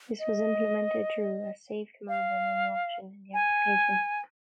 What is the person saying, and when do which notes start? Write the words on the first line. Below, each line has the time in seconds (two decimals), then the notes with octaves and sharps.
This was implemented through a "save" command or menu option in the application.
0.19 D#5
2.09 F5
3.34 G#5